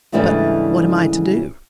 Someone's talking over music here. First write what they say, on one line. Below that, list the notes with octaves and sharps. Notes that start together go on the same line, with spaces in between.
But--what am I to do?
G#2 C#3 E3 G3 A3 D4